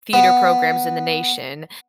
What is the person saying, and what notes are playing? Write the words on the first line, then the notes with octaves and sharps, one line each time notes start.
theater programs in the nation,
B3